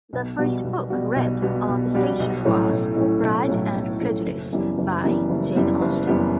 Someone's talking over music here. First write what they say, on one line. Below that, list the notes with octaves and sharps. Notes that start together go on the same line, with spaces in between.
The first book read on the station was "Pride and Prejudice" by Jane Austen.
B1
B2 G3 B3 F#4
B1
B2 G3 B3 F#4
B1
B2 G3 B3 F#4
B1
B2 G3 B3 F#4
B1
A2 F#3 A3 C#4
B1
A2 F#3 A3 C#4
B1
A2 F#3 A3 C#4
B1
A2 F#3 A3 C#4
F#1
F#2 E3 G3 B3
F#1
F#2 E3 G3 B3
F#1
F#2 E3 G3 B3
F#1
F#2 E3 G3 B3